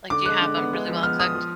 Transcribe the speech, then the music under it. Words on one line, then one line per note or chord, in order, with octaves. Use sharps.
Like, do you have them really well cooked?
D3 D6
G#3 F#6
D3
B3
G#3
F3
B3 F6
F3 D#6
F3